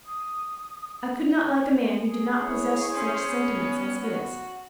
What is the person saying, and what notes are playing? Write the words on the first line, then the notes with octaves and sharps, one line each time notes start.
I could not like a man who did not possess such sentiments as his.
D#6
G#4
E4 C#5
C#4 C5
B3
F#4